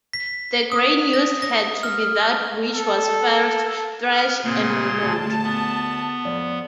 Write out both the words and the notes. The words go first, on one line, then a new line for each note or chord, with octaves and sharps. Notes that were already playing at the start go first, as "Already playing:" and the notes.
The grain used had to be that which was first thresh and winnowed.
B6
D#6
A#6
A#6
F6
A4
F6
A#2 C#3 A#3 C4 C6
D2 G#4 A5
B3
F2 F3 D5